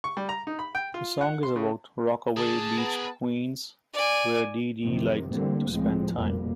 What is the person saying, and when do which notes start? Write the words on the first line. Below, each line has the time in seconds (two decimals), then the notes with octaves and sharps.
The song is about Rockaway Beach, Queens, where Dee Dee liked to spend time.
0.04 C#6
0.17 G3
0.29 A#5
0.47 D#4
0.59 B5
0.75 G5
0.94 F4
1.21 F#5
1.43 C6
1.56 C#3
2.37 D3 G#4 A5
2.77 B3 A#4 B4
3.93 D5 G#5
4.82 F#2 C3 D#3 F3
5.31 D3 E3 G3 A3 A#3 C4
5.70 C#2 A2 F3 G3 G#3 C4
6.14 F1 A#1 F2 B2 G3 A#3